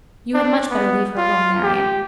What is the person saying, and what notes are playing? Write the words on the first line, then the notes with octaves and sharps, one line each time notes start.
You had much better leave her alone, Marian.
D4
B3
F4
G4